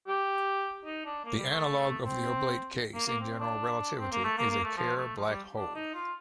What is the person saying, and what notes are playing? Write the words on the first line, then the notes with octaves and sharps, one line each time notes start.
The analogue of the oblate case in general relativity is a Kerr black hole.
G4
D#4
D4
A#3
G3
A3
C4
A#3
A#3
C4
D4
C4
A#3
A3
A#3
A#3
A3
F3
A3
F3
G3
D4
D#4
F4